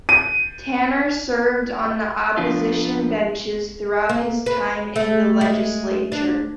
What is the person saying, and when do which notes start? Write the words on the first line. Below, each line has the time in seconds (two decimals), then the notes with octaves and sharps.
Tanner served on the opposition benches throughout his time in the legislature.
0.09 D#7
2.37 F3 B3 D4 F4
4.09 A#3
4.46 B4
4.96 A3
5.41 G#3
6.12 D4